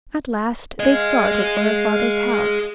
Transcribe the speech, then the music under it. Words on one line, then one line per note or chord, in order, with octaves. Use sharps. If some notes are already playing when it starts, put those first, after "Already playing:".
At last they started for her father's house.
G#4 D#5 F5